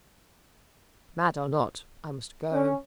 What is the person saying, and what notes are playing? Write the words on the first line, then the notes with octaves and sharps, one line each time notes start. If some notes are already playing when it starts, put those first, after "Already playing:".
"Mad or not, I must go."
C#4